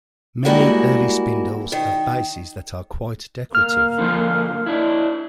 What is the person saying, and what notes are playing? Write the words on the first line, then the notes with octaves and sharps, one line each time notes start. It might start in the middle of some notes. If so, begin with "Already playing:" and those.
Many early spindles have bases that are quite decorative.
G3 G#3 A#3 E4 F#4
D#3
A#3 F6
D3 F3 F4
D4 E4